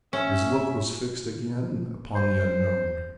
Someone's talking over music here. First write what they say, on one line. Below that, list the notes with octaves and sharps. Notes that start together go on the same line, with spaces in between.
His look was fixed again upon the unknown.
C#4 E5
C5